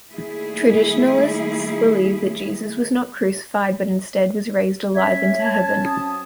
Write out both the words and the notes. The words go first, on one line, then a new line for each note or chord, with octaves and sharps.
Traditionalists believe that Jesus was not crucified but instead was raised alive into heaven.
D#3 G3 A3 A#3 E4 G#4
C#4 E5 G#6
A5
F#3 C4 D#6